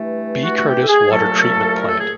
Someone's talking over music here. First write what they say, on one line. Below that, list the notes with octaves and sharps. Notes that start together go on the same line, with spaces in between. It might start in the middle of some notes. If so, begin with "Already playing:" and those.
B. Curtis Water Treatment Plant.
Already playing: G2 E3 A3
F#4
F#4
G4
A4
G#4
C2 A#2 F#3 A3 C#4 A4
A#4
A4
G#4